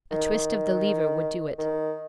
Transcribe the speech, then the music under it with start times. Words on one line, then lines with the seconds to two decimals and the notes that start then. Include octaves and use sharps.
A twist of the lever would do it.
0.11 D#3
1.59 D#3